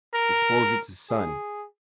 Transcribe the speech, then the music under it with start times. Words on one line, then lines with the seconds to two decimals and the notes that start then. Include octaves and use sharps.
exposure to sun,
0.14 A#4
1.10 G#4